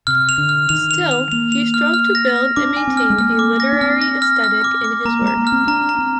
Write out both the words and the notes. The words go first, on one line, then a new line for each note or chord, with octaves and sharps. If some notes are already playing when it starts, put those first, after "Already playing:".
Still, he strove to build and maintain a literary aesthetic in his work.
C3 F6
F7
D3
F6
D#3 F7
F7
F7
A#3 F7
F7
F6
F6
A#6
F6
D4 D6
G#5
C4
F6
G#3
A#3 F6
D6
A#6
D4
C4 F6
A#6
F6
F6
D6
D6
A#3 A#5
G#3
A#5
A#3
F6
C4
D4 A#5
A#5
C4